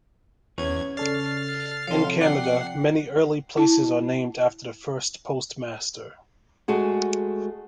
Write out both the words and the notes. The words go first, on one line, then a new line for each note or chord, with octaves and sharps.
In Canada, many early places are named after the first postmaster.
E2 C#4 B4 C#5 G#6
C#3 A4 D5 F6 A6 C7
C3 F3 C#5 F5 A5 C6
D5 F#5 G5 C7
E4 A5
G#3 A3 F#4 G#4